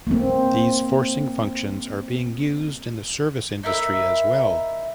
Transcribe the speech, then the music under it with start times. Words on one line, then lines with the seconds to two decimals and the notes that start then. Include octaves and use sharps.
These forcing functions are being used in the service industry as well.
0.07 A#3 C4
3.63 D#4 E4 A#4 E5